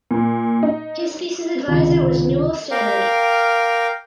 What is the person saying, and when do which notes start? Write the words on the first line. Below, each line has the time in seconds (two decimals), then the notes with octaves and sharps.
His thesis advisor was Newell Stannard.
0.11 A#2
0.63 D#4
1.68 C#2 C3 D#3
2.71 A#4 F5 G5 D6